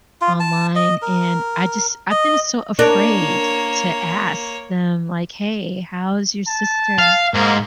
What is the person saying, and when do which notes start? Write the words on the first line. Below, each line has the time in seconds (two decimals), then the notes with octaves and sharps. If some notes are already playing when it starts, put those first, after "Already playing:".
online, and I just I've been so afraid to ask them, like, "Hey, how's your sister,"
0.21 F4
0.40 A5
0.76 D#5
1.02 A#4
2.11 D#5
2.79 A#3 D4 A#4 C#5
6.47 A5
6.98 F5
7.34 G#2 A#3